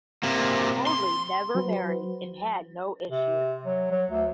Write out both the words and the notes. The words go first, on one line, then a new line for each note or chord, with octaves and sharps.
Hoadly never married and had no issue.
C3 A#3
C6
F#3 F#4 B4 C5
C3
F#3
F#3
D2